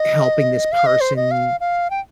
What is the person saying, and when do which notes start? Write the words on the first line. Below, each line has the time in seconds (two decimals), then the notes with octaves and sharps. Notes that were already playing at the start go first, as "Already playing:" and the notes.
helping this person
Already playing: D#5
0.72 F5
0.86 D#5
1.01 C5
1.16 D#5
1.31 F5
1.60 F5
1.90 G5